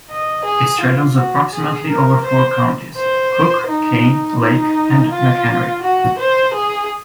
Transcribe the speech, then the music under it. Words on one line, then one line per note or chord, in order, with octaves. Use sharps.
It straddles approximately over four counties, Cook, Kane, Lake, and McHenry.
D#5
G#4
F4
F#4
G#4
A#4
C5
C5
D#4
D#4
F4
F#4
C5
G#4